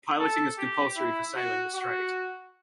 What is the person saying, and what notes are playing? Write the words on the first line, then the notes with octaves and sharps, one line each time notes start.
Piloting is compulsory for sailing the strait.
A4
G4
E4
F#4
F#4